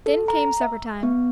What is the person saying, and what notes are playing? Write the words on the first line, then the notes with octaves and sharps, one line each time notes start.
Then came supper-time.
A4
A#5
E5
B3